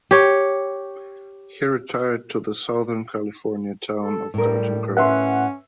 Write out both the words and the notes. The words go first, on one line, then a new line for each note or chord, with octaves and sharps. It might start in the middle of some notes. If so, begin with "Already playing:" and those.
He retired to the Southern California town of Garden Grove.
G4 C#5
A4
A2 G3 A#4
C#4 B4 E5 F#5 C6